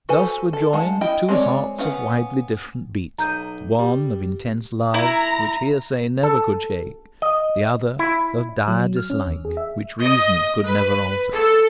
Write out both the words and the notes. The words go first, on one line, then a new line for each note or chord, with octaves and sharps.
Thus were joined two hearts of widely different beat--one of intense love, which hearsay never could shake; the other of dire dislike, which reason could never alter.
F#4 A4 B4 C5 G#5
A4
G#3 F#5 A5
E4 D#5 G5
G#3 C4 A#4 C#5 D5
B3 C#4 F5 F#5
B1 A#5 D#6 G6
G3
E4 A#5
A4
D#5
E4
F#3
F6
C#4
E2
G#4
E5
D#5
B4
A4